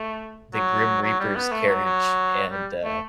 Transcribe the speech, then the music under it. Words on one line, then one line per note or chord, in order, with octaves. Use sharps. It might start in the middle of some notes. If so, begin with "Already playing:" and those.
the Grim Reaper's carriage, and, uh,
Already playing: A3
F#3
F#3
G3
B3
A3
F#3
F#3
G3
A3